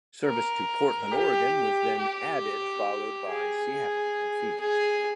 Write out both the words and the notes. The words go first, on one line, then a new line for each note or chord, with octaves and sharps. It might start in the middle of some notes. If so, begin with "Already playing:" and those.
Service to Portland, Oregon was then added followed by Seattle and Phoenix.
A#4
G4
G4
G#4
G#4